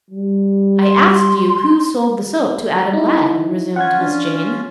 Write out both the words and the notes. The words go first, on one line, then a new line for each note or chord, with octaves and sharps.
"I asked you who sold the soap to Adam Ladd?" resumed Miss Jane.
G3
C6
D#4 E4
C#4 F4 F#5 G#6
D4